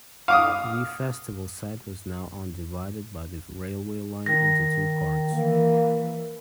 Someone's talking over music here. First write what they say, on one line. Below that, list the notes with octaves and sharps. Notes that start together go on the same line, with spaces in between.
The festival site was now on divided by the railway line into two parts.
F5 D6 D#6
D#3 A#6
E3 A#3